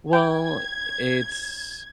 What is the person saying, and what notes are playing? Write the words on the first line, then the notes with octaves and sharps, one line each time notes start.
Well, it's
G5 G#6